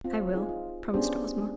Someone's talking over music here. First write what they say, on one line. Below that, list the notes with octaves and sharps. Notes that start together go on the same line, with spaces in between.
"I will," promised Ozma.
C4 F4
D#4 F4 G#4
F4
B3 C#4 D4 G4 G#4 C5